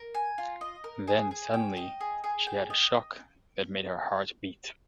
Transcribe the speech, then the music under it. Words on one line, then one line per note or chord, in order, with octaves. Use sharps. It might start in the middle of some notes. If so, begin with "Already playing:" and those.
Then suddenly she had a shock that made her heart beat.
Already playing: A#4
G#5
F4
D#5
A#4
G#4
G#4
G5
D#5
G#4
G#4
G5
D#5